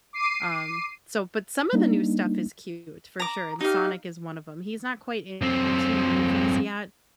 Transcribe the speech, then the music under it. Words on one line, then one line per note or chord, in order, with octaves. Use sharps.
um, so, but some of the new stuff is cute, for sure, and Sonic is one of 'em, he's not quite into movies yet,
D6 C7 D#7
G3 A#3 D4 D#4
A#5 D6
D#4 G4 F5
F#2 C4